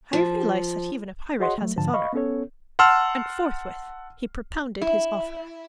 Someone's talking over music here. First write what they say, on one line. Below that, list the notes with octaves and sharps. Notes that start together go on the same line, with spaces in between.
"I realize that even a pirate has his honour." And forthwith he propounded his offer.
F3
F#4 G#4 C#5 D#5 F#5 C6
F#3 A3
G#2 D3 F3 A5
D#5 F5 B5 C#6
B3 C#4 A4 C#5
F#5 A5 C6 E6 F6
E4